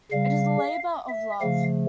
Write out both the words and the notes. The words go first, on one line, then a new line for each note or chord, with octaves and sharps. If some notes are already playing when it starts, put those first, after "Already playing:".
It is a labor of love.
C#3 G3 F5
E5
C#3 F3 A3 F5